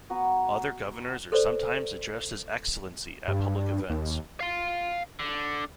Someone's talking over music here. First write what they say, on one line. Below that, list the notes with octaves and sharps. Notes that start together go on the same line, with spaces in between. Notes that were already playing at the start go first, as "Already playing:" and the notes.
Other governors are sometimes addressed as "Excellency" at public events.
B3 F#4 A#5
A4 B4 C5 D5
G2
D#2
F5 C6
D3